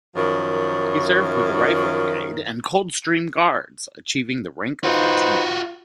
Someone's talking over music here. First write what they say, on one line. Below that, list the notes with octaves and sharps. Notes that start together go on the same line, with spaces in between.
He served with the Rifle Brigade and Coldstream Guards, achieving the rank of lieutenant.
F#2 D#3 F3
D#4 F4 F#4 B4 C5